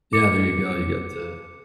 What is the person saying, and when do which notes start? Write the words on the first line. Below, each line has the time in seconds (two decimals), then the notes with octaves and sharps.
Yeah, there you go. You got the,
0.13 D6 C#7